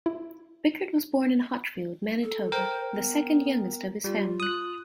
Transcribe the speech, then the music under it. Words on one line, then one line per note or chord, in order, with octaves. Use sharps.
Bickert was born in Hochfeld, Manitoba, the second youngest of his family.
E4
A4
A#4 C5 G5
B3
G3 F4
D#6 F#6